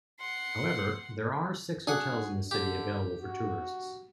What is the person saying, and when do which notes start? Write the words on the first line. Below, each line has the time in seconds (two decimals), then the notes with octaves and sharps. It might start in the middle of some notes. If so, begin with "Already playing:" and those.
However, there are six hotels in the city available for tourists.
0.20 F#5 C6
1.87 D4 F#4 G#4 F#5
2.51 D3 G4
3.22 F#4